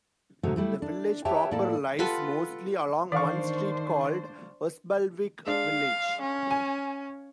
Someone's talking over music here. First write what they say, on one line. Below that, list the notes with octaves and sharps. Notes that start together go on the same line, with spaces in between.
The village proper lies mostly along one street called Osbaldwick Village.
G#2 B2 D3 F#3 A3
G3 A3 E4
D4
G4 B4 C#5 E5 G5 A5
A2 A#3 E4 A4 D5 A5
F4 G4 A4 B4 F#5
D#3 E3 D4 C5 D5 F5 C#6
G#3 D4 F5
C#4
G#5